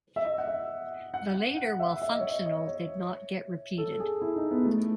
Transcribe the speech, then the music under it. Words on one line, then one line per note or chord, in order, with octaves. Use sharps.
The later, while functional, did not get repeated.
E5
D#5
F#5
E5
F#5
F#5
F#5
E5
E5
D#5
C#5
D#5
D#5
C#5
A4
G#4
E4
D#4
B3
A3